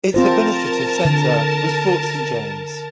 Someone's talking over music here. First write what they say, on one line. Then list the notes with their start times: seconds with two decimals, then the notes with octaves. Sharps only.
Its administrative centre was Fort Saint James.
0.14 C4 F4 A#4 C5 A5
1.05 D3